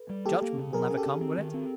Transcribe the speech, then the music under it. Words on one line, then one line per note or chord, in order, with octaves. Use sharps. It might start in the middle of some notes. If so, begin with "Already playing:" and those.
Judgment will never come, will it?
Already playing: A4 B4
G3
A#3 G4 A4
A#3
C#3
F#3 G#4 A#4
C#4 G#4
G4 A4
C#4
C4
D#3
C4